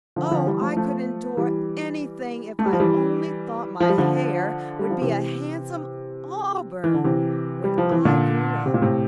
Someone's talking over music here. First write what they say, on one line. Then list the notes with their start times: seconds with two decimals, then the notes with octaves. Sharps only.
Oh, I could endure anything if I only thought my hair would be a handsome auburn when I grew up.
0.16 D3 F3
0.31 D3 F3
0.46 E3 G3
0.62 F3 A3
0.77 F3 A3
1.37 E3 G3
2.59 A3
2.66 G3
2.73 F3
2.80 E3 G3
3.80 F3
3.89 G3
3.98 D3 F3
4.79 G3
4.90 F3
5.02 C3 E3
6.84 E3
6.94 D3
7.04 C3 E3
7.64 G3
7.78 F3
7.91 E3
8.05 A#2 D3
8.66 C3
8.74 A#2
8.82 A2 C3